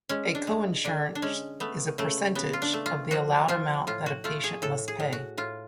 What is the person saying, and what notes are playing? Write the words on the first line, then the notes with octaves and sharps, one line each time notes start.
A coinsurance is a percentage of the allowed amount that the patient must pay.
G#3 C#4
D4
G#3
D3 D4
D4
G#3 C#4
A3 B3
C#3 A3
C#3 B3
F4
D4
A3
F4
F3 F#4
F3 F4
A2 F4
F#4
A3 F4
G#4
A2 A4
G#4
A2
F#4
A2 F4